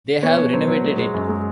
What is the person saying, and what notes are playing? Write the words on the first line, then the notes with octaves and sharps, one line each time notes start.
They have renovated it.
B2 B4 C#5
B2
F#3 C5
F#3
G#3
G#3
F#2
G#3